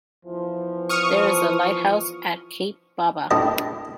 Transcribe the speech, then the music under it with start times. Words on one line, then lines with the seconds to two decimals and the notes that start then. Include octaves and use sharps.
There is a lighthouse at Cape Baba.
0.26 E2 E3 F3
0.89 C#6 D#6 F6
3.31 A3 D4 E4 G4 A#4 D#5